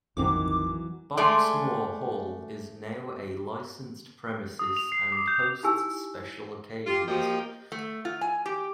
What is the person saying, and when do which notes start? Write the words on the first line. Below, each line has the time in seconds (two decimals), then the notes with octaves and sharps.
Boxmoor Hall is now a licensed premises and hosts special occasions.
0.17 A#1 F2 D#3 E3 F#3 C4 D6
1.17 G#3 A3 D5
4.59 D#6
4.77 F7
4.92 C7
5.12 D6
5.28 G6
5.63 D#4 E4 G4 G#5 E6
6.85 F4 G4
7.08 F3 A#3 F#4 G4 D#5 G5
7.72 A3
8.05 F4
8.21 G#5
8.46 G4